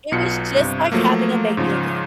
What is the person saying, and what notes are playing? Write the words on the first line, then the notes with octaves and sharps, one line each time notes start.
It was, just, like having a baby again.
B1 B2 F4 C#7
G2 C3
F3 F#3 A3 A#3
G#2 C#3 F3